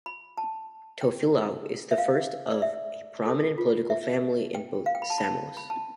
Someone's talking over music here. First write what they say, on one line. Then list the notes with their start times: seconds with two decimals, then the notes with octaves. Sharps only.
Tofilau is the first of a prominent political family in both Samoas.
0.06 B5
0.37 A5
1.01 G5
1.91 E5
1.98 F5
2.52 D5
2.62 E5
3.26 A4
3.58 F4
3.90 E5
4.55 G5
4.86 F5
4.95 G5
5.02 B5
5.10 A5
5.18 B5
5.24 A5
5.57 B5
5.70 A5